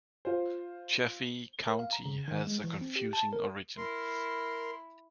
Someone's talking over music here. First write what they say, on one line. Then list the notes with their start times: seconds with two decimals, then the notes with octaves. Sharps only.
Chaffee County has a confusing origin.
0.25 F4 C5
1.67 A#4
1.79 F5
1.93 A#5
2.06 C#3
2.28 D#3
2.47 G#3
2.64 E3
2.81 C4
2.96 G4
3.13 A5
3.33 A#4
3.78 E4 A#4 C6